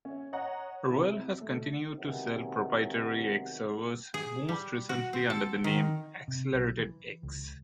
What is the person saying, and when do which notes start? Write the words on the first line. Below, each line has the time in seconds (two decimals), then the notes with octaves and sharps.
Roell has continued to sell proprietary X servers, most recently under the name "Accelerated-X".
0.05 C#4 E5
0.33 C#5 D#5 F#5 A#5
0.89 C3 E4
1.41 A3 A4
1.97 C3 D#3 E3 F#3 G#3 B3
4.14 G#4
4.49 G3
4.89 F#4
5.13 C4
5.30 A4
5.64 D#3
6.28 C3
6.53 B1
6.79 E3
7.23 C#2